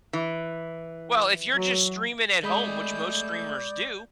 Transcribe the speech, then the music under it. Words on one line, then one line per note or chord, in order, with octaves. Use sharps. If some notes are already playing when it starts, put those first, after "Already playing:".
Well, if you're just streaming at home, which most streamers do,
E3
F#3
G#3 A3 D5 D#5 B5 D#6 G6